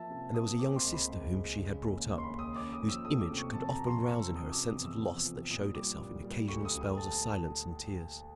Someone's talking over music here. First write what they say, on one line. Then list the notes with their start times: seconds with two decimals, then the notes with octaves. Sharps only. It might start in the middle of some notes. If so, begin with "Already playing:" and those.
And there was a young sister whom she had brought up, whose image could often rouse in her a sense of loss that showed itself in occasional spells of silence and tears.
Already playing: F3 A#3 E5 A5
0.10 C3
0.35 A#3 D#6
0.59 C4 D6
0.76 C6
0.84 C#2
0.92 B5
1.08 C#2
1.33 G#3
1.58 C#3
1.82 D#2
2.07 D#2
2.18 C6
2.23 B5
2.31 D#2
2.39 D#6
2.56 C#4 D6
2.72 D#6
2.80 F3
2.89 E6
3.04 A3 D#6
3.21 D6
3.30 C3
3.37 C#6
3.54 F2 A5
3.70 A#5
3.78 F2
3.86 C6
4.03 F3 C#6
4.19 E6
4.28 F2
4.36 D#6
4.52 C3 D6
4.68 D#6
4.76 E2
4.85 E6
5.01 F3
5.25 F3
5.51 A#2 D#6
5.74 G3 D6
5.99 A#2
6.23 G3
6.48 D2 C#6
6.65 D#6
6.73 D2
6.81 D#6
6.97 A5